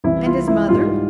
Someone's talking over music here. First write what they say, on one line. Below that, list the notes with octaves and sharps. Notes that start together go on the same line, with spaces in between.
"And his mother?"
C2 C3 E3 E4
F4
E4
G#2 G3 F4